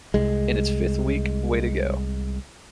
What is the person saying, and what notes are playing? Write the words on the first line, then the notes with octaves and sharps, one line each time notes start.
In its fifth week Way to go!
C2 G#3